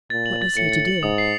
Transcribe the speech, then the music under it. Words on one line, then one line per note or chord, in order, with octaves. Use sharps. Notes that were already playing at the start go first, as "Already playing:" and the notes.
What was he to do?
A#2 A6
F#7
A6
A2 C#7
A6
F#7
G#2 D#6
C7